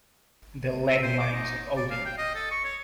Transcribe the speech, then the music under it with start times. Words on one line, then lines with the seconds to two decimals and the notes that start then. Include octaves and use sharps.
The lead mines of Odin.
0.88 E5
1.03 C5
1.20 D6
1.33 D#4
1.77 D5
1.91 F5
2.06 G5
2.18 D#5
2.35 A4
2.51 C#6
2.65 C#5